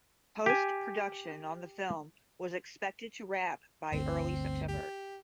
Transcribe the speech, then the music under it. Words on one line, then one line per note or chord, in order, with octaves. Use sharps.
Post production on the film was expected to wrap by early September.
G4 G#5
G1 D2 C4
G4